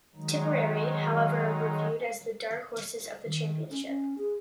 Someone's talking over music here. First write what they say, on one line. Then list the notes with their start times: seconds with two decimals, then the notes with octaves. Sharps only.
Tipperary, however, were viewed as the dark horses of the championship.
0.15 D#3 F#3 G#3 D#4
3.25 D#3
3.70 C#4
3.84 C#4
4.18 G#4